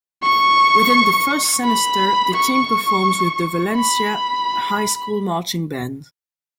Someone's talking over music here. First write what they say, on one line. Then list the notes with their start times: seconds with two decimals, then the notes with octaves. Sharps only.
Within the first semester the team performs with the Valencia High School Marching Band.
0.22 C#6
1.64 B5
2.34 C#6
3.75 B5